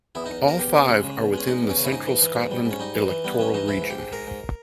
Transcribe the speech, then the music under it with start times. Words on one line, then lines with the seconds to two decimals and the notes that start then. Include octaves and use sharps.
All five are within the Central Scotland electoral region.
0.15 E2 E4
0.26 E2 D#4
0.44 E2 A#4
0.59 E2 G4
0.74 C#3
0.88 G#3
1.03 C#3
1.18 E2
1.33 G#3 C#4
1.47 E2 D#4
1.63 E2
1.69 C#4
1.77 C#3
1.84 E4
1.92 G#2 D#4
2.06 E3
2.22 E3
2.36 G#2
2.51 G3
2.65 G#2
2.71 C#4
2.79 G3 D#4
2.95 E3
3.10 E3
3.24 G3 B3
3.39 E3 C#4
3.54 E3 D#4
3.68 G#2 E4
3.83 G#2
3.90 G4
3.98 G#2
4.12 G#2 A#4
4.27 G#2